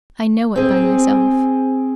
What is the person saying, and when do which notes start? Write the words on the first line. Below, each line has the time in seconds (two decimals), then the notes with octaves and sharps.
I know it by myself.
0.56 C4 G#4